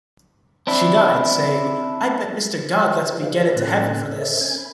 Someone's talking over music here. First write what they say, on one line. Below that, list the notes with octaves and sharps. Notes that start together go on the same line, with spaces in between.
She died saying, 'I bet Mister God lets me get into heaven for this'.
C4 D4 E4
F4 G#4 B4 C5 D5 F5
A2 A#3 C#4 A4 F#6
A4 A#4 C5 C#5 D#5 E5
C#4 G#5 G#6
B5